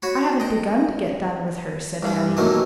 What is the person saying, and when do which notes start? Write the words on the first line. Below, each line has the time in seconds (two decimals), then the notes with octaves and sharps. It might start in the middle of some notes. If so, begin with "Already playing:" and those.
"I haven't begun to get done with her," said Annie.
0.02 F#4 C#5 B5
0.40 D#5 G5
2.03 C2 G2 G3
2.37 D#2 B2 E3 F#3 A3 A#3